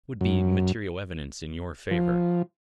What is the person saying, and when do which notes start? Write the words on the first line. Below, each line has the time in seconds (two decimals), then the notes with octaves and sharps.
It would be material evidence in your favor.
0.21 F#2
1.91 F3